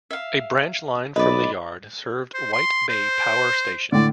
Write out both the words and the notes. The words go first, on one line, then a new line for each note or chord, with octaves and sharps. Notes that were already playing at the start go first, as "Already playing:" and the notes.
A branch line from the yard served White Bay Power Station.
E5 F5
B1 B4 D5 D#5
C5
C6
C5
A2 D3 D5